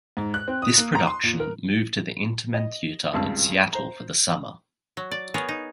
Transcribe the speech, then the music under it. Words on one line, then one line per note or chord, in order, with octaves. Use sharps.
This production moved to the Intiman Theatre in Seattle for the summer.
G#2
F#6
C4
D#6
A#3
A#5
C6
A#2
A#4
D#5
G#1 C#2 G2 A5 E6
C5 A#5
F#3
D5
B3 G#4 A#4 C#5
D#4